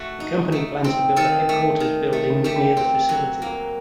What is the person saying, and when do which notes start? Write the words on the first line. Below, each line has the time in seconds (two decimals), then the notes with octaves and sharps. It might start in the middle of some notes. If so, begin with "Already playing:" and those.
The company plans to build a headquarters building near the facility.
Already playing: A3 F#4
0.20 D#4
0.52 A3
0.84 C4
1.16 D#3 A4
1.49 A3
1.80 D#3
2.13 A3
2.44 A3 G4
2.77 C4
3.09 F#3
3.42 A#3